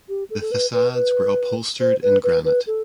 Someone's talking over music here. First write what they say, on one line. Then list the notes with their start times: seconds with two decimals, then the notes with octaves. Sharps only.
The facades were upholstered in granite.
0.09 G4
0.30 A4
0.41 A4
0.51 B4
0.73 B4
0.94 B4
1.80 C5
2.03 B4
2.24 B4
2.45 B4
2.67 A4